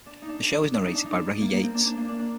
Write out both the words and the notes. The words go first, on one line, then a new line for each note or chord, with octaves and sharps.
The show is narrated by Reggie Yates.
D4
D#4
D4
D4
D#4
D4
D#4
D4
A#3
A#3
C4
D4
D4
A#3
D4
D4